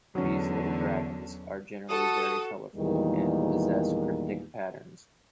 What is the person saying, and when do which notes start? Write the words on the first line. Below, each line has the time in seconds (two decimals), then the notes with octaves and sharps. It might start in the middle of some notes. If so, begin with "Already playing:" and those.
These "little dragons" are generally very colorful and possess cryptic patterns.
0.15 E2 D3 F#3 C#4
1.89 F#4 A4 D#6
2.76 E2 A#2 D#3 E3 G3 G#3